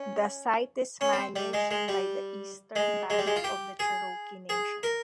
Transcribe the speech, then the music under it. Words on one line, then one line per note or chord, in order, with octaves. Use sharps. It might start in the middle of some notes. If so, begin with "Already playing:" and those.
The site is managed by the Eastern Band of the Cherokee Nation.
Already playing: C#4
C#4
C4
G3
G#3
G#3
G3
G#3
G#3
G3
G#3
F4
G4
G#4
G#4
A#4